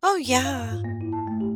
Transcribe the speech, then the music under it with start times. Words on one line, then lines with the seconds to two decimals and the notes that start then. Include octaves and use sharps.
Oh, yeah.
0.25 F#2
0.45 F5
0.59 G#2
0.72 F4
0.84 A#3
1.01 E4
1.12 A5
1.27 A3
1.41 G4